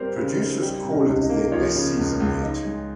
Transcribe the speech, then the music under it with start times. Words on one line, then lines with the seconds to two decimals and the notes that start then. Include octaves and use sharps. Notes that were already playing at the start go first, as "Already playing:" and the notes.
Producers called it their best season yet.
Already playing: G3 C4 A#4 C5
0.16 C#3
0.39 D#4
0.62 G3 G4
0.84 C3
0.92 C#4
1.00 D#4
1.07 C#2 C#4
1.22 D#4
1.30 A#3
1.52 F3 C#5
1.75 C#3
1.98 C#2
2.20 C#2
2.43 D#4
2.65 G#3